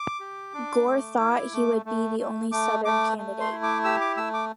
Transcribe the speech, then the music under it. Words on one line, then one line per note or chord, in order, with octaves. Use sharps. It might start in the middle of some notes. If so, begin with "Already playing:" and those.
Gore thought he would be the only Southern candidate.
Already playing: D6
G4
D4
A3
E4
A3
A3
A3
A3 D6
A3 D6
A3
C6
E4
D6
G4 E6
D6
A3 E6
D6